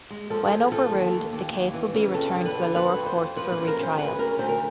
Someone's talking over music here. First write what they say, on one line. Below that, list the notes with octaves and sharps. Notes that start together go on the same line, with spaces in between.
When overruled the case will be returned to the lower courts for retrial.
G#3
F3 A4
F3 G#4
F3 A4
D#2
D#2
D#2
D#2
E3
C#3
F2 A4
D3
B4
D3
F2 B4
F2
C5
F2
F3 B4
B4
C#3
A#4
D2
C5
C#3 B4
D2 A#4
D2 C5
A#4